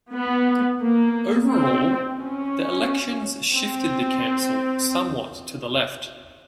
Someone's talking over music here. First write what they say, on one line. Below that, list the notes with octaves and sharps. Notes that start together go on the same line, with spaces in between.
Over all, the elections shifted the council somewhat to the left.
B3
A#3
C4
C#4
C4